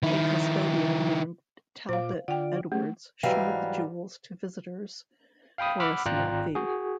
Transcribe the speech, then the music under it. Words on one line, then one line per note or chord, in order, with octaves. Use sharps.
A custodian named Talbot Edwards showed the jewels to visitors for a small fee.
D#3 E4
A#2 F4 C5 F5 D6
D3 F4 D5 F#5 G5
A3 C#4 G4 G#4
G#2 E3 F#3 G3 G4 F5
F5 G5 B5 D#6
F#5 B5 D6 E6 F6
G#1 F4 D5 G5 A#5 F#6
F#4 G#4